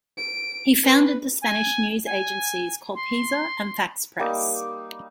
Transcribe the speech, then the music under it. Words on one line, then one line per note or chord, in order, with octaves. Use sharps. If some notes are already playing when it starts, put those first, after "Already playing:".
He founded the Spanish news agencies Colpisa and Fax Press.
D7
B4
G#5
G#5
C6
G3 A#3 D#4 D6